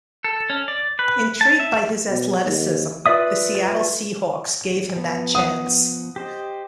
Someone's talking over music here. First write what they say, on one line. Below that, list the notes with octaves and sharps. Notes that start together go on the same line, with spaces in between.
Intrigued by his athleticism, the Seattle Seahawks gave him that chance.
A4
C#4
D5
B4
A5
E5
B2
D#2
F4 B4 D5 E5 D#6
F3 B3
F#5 D#6
G4 C5 D#5